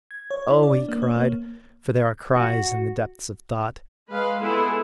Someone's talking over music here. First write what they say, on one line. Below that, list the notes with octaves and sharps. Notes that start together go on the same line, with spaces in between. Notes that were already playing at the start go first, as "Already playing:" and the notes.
"Oh!" he cried, for there are cries in the depths of thought.
G#6
C#5
E4
D5
D4
A#3
C#5
A#3
F#4
G#3 B4 F5
G#3 B3 E4 G#4 A4